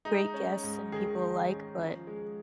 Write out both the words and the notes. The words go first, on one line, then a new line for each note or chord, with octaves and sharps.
great guests and people alike, but
G#3 D#4
C#4
G#2
D#3 G#4
G#3
C#4
F3
G#3